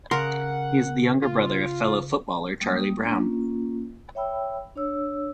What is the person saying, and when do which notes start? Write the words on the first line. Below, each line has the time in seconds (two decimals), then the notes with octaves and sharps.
He is the younger brother of fellow footballer Charlie Brown.
0.11 C#3 A#4 F#5 C6
1.22 F4
2.61 G3 A#3 D#6
3.00 A#3 B3 D4
3.13 A#3 C#4 F4
4.15 C#5 E5 G5 B5 E6
4.76 D4 C#5 E6